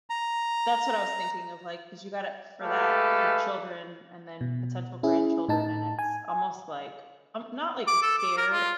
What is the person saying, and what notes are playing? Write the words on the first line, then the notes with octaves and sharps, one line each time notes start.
That's what I was thinking of, like, 'cause you gotta for that, your children and then potential grandchildren, and it's almost like, um not like the scare,
A#5
G#3 A3 G4 A4 B4 F5
B2
C#4 E4 G#4
A2 D#4 A5
G#5
D6
A4
D6
A#4
F4